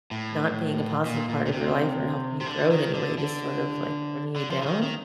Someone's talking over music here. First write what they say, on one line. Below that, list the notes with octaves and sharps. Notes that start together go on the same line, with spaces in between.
not being a positive part of your life or helping you grow in any way, just sort of, like, bringing you down.
A2
A#2
A#2
A#2
C3
C3
D3
D#3
D3
D3
D3
F3
D3
D#3
D#3